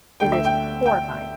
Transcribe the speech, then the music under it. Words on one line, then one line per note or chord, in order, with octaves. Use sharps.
It is horrifying.
D2 D3 A3 G5
E5
G5
G5